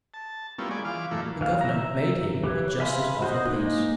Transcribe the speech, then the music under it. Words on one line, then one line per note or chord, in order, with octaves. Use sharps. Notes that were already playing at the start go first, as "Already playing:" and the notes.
The governor made him a justice of the peace.
A5
G3 A#3 B3 C#4 E4 F4
G#3 D5 G#5
E3 F4 F5 D6
F#2 A2 E3 A3 A#3 E4
E3 F5
E5 A#5
E3 G4 B4 C#5
E5 F5 G#5 B5 C6
F#4 C5 D#5
G#3 A#3 D#4